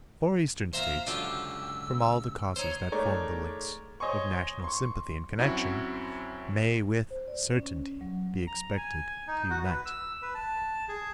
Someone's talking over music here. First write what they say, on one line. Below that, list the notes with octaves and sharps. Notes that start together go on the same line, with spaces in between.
The four Eastern States, from all the causes that form the links of national sympathy and connection, may with certainty be expected to unite.
E2 A#2 C5 E5 F5 A#5
C#2 F#2 D3 F4 G4 E6
D2 D#4 C5 C#5
G#3 A3 D#4 A#4 C#5 D5
C5 C#5 D#5 G#5 C6 C#6
C6 C#6
F#2 C4 E4 F#4
C5
D5
C#4
F#3
A#5
G#5
D#4
F#4
B4
E6
B4
A5
G#4